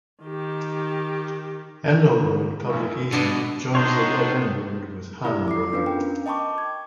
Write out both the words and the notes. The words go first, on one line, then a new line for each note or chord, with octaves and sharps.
Endall Road public easement joins the dead end road with Hamm Road.
D#3 G4
B1 F#2
B2 D3 B3 D4 E4 D#5
B3 D4 D#4 A4 C5 C#5 C6
E4 G4 D5
D6 C7
B3 C#4 D4 F4 B4 F5
A#4 G5
D#5 G5 A5 B5 C#6 D6
G#6